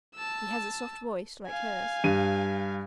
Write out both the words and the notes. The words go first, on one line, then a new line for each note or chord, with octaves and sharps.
He has a soft voice, like hers.
A5 E6
F5 G#5
G2 D#7